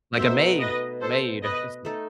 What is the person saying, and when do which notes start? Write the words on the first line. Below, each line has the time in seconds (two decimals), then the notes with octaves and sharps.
Like a maid a maid, uh, that's, um
0.17 B2 A3 D#4 C5 E5
0.59 B4 D#5
1.01 A4 C5
1.43 B4 D#5
1.85 A3 D#4 A4